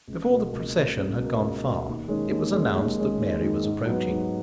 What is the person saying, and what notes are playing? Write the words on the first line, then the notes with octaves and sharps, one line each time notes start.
Before the procession had gone far it was announced that Mary was approaching.
C#2
B2 A#3
C#2
B2 A#3
C#2
B2 A#3
C#2
B2 A#3
D#2
D#3 G#3 C#4
D#2
D#3 G#3 C#4
D#2
D#3 G#3 C#4
D#2
D#3 G#3 C#4
G#2
F#3 B3
G#2